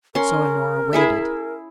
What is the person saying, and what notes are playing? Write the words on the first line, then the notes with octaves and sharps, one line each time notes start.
So Honora waited.
C#4 A#4 C6
E4 G#4 E5